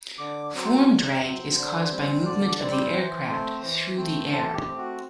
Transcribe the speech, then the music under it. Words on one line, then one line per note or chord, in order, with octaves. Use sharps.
Form drag is caused by movement of the aircraft through the air.
D3 D6
F#3 C4
C5
D3
F#3 C4
D3 C5
G3 C4
D3 D5
D5
G3 C4
C5
E3
A3 C4
E3
A3 C4
E3 A4
G4
A3 C4
F#4